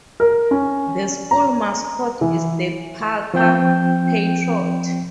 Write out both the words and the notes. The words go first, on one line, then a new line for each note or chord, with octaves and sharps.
The school mascot is the Parker Patriot.
A#4
C#4
A#5
E3
F3 C4 G5 G6